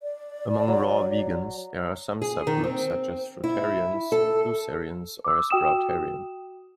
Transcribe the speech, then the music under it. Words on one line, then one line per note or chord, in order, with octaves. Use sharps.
Among raw vegans there are some subgroups such as fruitarians, juicearians, or sproutarians.
D5
F#3
G#4
D#3
C4
E4
A4
D6 E6
F#4 G5 D#6 E7